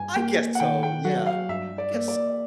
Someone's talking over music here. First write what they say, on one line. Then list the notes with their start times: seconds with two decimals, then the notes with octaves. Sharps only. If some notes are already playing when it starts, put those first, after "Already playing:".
I guess so. Yeah. I guess so.
Already playing: G2 G#5
0.16 A#3 G5
0.55 F#5
0.60 D#3 G5
0.83 G5
1.05 F#3 F#5
1.26 F5
1.49 G2 E5
1.78 D5
1.94 A#3
2.08 D5